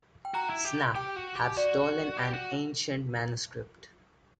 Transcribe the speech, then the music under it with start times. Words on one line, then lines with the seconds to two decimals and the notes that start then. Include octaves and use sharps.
Snap, have stolen an ancient manuscript.
0.25 G5
0.34 F#4 A#5
0.50 E4
0.65 G4
0.95 G4 G5
1.16 F#4
1.36 G4
1.57 F#4 D5
2.17 G4
2.34 F#4